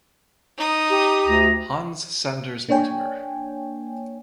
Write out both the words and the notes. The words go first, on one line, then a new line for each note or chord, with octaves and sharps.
Hans Sanders Mortimer.
D#4 D#6
G4
D2 A#5
A#3 D4 C#5 G5 G#5